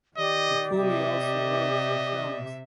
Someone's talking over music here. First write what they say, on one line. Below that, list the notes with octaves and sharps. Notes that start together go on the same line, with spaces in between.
McCulley also wrote for films.
D#3 G4 D5 D#5
C3 G4 D#5 E5